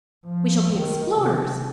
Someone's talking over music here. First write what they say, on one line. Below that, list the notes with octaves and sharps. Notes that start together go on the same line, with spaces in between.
We shall be explorers.
F3
D#3
C3